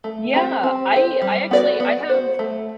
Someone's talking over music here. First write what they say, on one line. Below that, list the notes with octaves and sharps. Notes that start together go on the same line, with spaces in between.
Yeah, I I actually I have,
A3
C4 G4
C4
G4 C5
G3
B3 F#4 B4 D5
B3
F#4 C5
A3